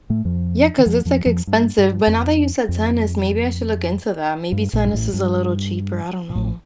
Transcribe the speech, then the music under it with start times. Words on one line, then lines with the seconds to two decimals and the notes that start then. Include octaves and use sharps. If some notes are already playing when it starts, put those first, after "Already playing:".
Yeah, 'cause it's like expensive, but now that you said tennis, maybe I should look into that. Maybe tennis is a little cheaper, I don't know.
0.10 A2 A3
0.25 F2 F3
0.78 D#3
0.86 F2 F3
1.05 F2 F3
1.26 F2 F3
1.47 G2
1.78 G2
2.07 F2
2.69 F2
4.52 G2
4.73 A#1 A#2
4.84 G2
4.93 A1 A2
5.14 G2
6.30 A#2
6.35 A1 A2